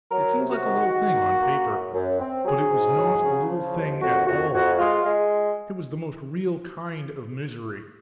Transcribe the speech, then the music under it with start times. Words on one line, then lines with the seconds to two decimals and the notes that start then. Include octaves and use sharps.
It seems like a little thing, on paper, but it was not a little thing at all; it was the most real kind of misery.
0.11 F#3 A#4
0.37 C3
0.50 F#4
0.64 D#3
0.89 D#3
1.15 A#3
1.41 A#3
1.67 F#2
1.93 F#2
2.20 C4
2.45 F#3 G#4
2.71 G#2
2.97 F#3
3.24 C#3
3.49 F3
3.75 D#2
4.01 F2 F#4
4.27 F2 F#4
4.53 F2 F#4
4.79 G#3 F4
5.05 G#3